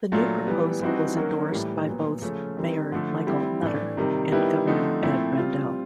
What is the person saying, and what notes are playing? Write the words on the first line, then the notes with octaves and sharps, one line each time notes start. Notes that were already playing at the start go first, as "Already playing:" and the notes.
The new proposal was endorsed by both Mayor Michael Nutter and Governor Ed Rendell.
A#2 F#3 A3 D4 F4
E3 G3 B3
E3 G3 C4 D#4 F#4
D#3 F#3 A#3 C#4 F#4
A2 E3 G3
A#2 F#3 B3
C#3 F3 A3 C#4
D#3 G3 C4
D3 F3 A3
G3 C4 E4
A2 E3 A3 D4
C3 D#3 G3
D#3 G3 B3 E4 G4
D3 F3 A3 C4 D#4
A#2 F3 A3 C4 E4
G3 C4 F4